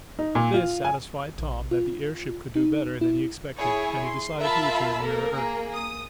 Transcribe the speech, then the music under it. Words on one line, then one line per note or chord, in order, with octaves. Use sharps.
This satisfied Tom that the airship could do better than he expected, and he decided to return nearer earth.
D#4
A#2
F4
G#5
A#1
F4
D#4
E4
E4 G#4 C#5 G#5
C6
F4 A#4 E5 A5 B5 E6
A#3 A4 A#4
A#3 G#4
D#6